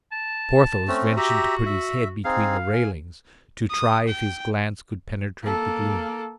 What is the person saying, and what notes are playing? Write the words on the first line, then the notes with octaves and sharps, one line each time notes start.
Porthos ventured to put his head between the railings, to try if his glance could penetrate the gloom.
A5
A3 C4 C#4
F#4 G4 E5 A#5
E5
C4 D#4 G#4 F5
G#5
D#6
G5
A#3 A4